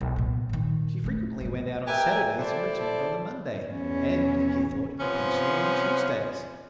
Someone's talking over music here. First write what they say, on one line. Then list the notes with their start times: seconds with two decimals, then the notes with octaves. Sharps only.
She frequently went out on Saturdays and returned on the Monday and, he thought, occasionally on Tuesdays.
0.01 B1
0.16 A#2 B3
0.49 A#2 D#3
1.04 G#3 A3
1.41 G2 F3
1.87 G4 A#4 B4 E5 G5 G#5
2.39 E4 A4 C5 D5
3.72 E2 C#4
5.00 C3 F3 B3 C#4